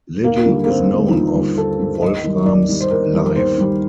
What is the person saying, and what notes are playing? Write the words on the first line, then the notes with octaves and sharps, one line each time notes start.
Little is known of Wolfram's life.
D#2 A#3
D3 G3
A#3
D#2 C4
D3 G3
D#4
D#2 F4
D3 G3
D#2 A4
D3 G3
D#2 D#5
D#3 G3
D#2 D5
D#3 G3
C5
D#2 A#4
D#3 G3
A#4
D#2 C5
D#3 G3